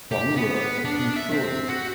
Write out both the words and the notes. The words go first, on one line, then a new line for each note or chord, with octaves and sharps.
But we were insured.
G4
B3
D4
E5
C4
F#4